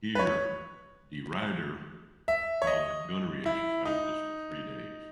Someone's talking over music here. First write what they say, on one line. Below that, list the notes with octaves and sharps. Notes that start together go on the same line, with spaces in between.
Here "De Ruyter" held gunnery exercises for three days.
B4
C#5
E5
C#5
D#5
E4
D#4